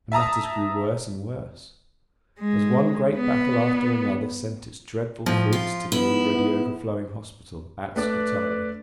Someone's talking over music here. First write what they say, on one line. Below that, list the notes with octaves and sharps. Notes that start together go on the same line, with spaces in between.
And matters grew worse and worse, as one great battle after another sent its dreadful fruits to the already overflowing hospital at Scutari.
E5 A5 A#5 D#6
G#3
B3
A2 F3
F4
B3 E4
A3 D4 B4 D5